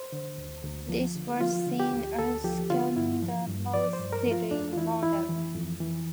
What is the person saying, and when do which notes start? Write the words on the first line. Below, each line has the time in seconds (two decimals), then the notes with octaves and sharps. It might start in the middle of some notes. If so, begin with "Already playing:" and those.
This was seen as scandalously modern.
Already playing: C5
0.12 D3
0.38 D2
0.64 D2
0.89 F3
1.15 D3
1.41 F3 F4
1.66 D3
1.80 G4
1.93 D2
2.19 D2 A4
2.44 F3 G4
2.70 D3 F4
2.96 G2 E4
3.23 F3
3.47 G2
3.74 F3 D5
3.93 C5
3.99 G2
4.13 A#4
4.26 F3
4.31 F4
4.51 F2 D4
4.73 F4
4.76 E3 E4
5.03 F2 E4
5.29 E3
5.55 F2
5.80 E3